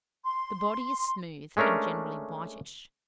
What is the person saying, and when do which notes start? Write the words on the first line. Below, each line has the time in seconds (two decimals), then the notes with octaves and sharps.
The body is smooth, and generally whitish.
0.25 C6
1.57 G#3 A3 C#4 D4 A#4